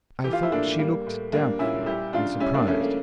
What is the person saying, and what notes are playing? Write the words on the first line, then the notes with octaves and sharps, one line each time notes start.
I thought she looked doubtful and surprised.
E3 G4
F4
E4
A2 A#3 D4
G3 A#3
A2
G3 A#3 D4
A#2 C#4 E4
G3 E4 G4
C#3 D4 F4
G3 C#4 E4
A#3 D4
C#3 A3 C#4
A#3